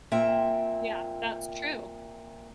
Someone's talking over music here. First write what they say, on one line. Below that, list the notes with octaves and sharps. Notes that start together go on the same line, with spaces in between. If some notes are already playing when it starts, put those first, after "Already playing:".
Yeah, that's true.
A#2 C4 E5 G5